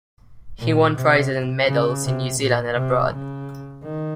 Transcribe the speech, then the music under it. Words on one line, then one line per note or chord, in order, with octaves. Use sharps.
He won prizes and medals in New Zealand and abroad.
A#2
C3
C#3
C3
A#2
C3
C#3
D#3